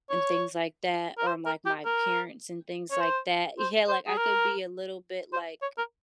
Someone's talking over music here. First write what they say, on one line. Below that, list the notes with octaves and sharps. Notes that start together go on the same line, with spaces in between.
and things like that or, like, my parents and things like that yeah, like, I could be a little bit, like
C#5
A#4
C5
A#4
G4
A#4
C#5
C5
C5
C5
G#4
A#4
C5
C#5
A#4